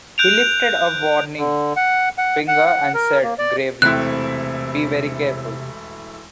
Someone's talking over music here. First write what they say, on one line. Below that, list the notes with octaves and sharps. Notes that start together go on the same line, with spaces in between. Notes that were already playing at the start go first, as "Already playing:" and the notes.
He lifted a warning finger and said gravely, "Be very careful."
F#6 G6 D7 F7
D3
F#5
F#5
F#5
F#5
A#4
A#3
D5
E1 C3 A3 C4 E4 F#6